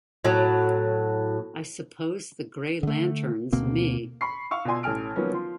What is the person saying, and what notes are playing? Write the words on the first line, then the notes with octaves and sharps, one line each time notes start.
I suppose the Grey Lantern's me.
A2 F#3
D3 A3
D2 B2 A#3 C4
B5 C#6 C7
F5 C#6 E6
B2 F4 D5 G#5 C6
A1 A2 A4 G#5 F6 D7
D#3 F3 F#3 A#3 B3 C#4
F3 C6